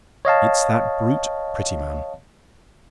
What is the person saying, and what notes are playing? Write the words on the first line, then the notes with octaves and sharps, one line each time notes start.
It's that brute, Prettyman.
C#5 D#5 F5 A5